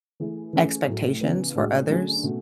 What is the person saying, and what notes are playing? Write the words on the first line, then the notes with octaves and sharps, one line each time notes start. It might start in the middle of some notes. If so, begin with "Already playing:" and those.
expectations for others,
E3 A3 E4 G#4
E3 A3 C#4 G#4
A2 F#3 A3
C#3 E3 B3
A2 G#3 D4 F#4
D3 F#3 A3 C#4 G#4
B2 A3 C#4 F#4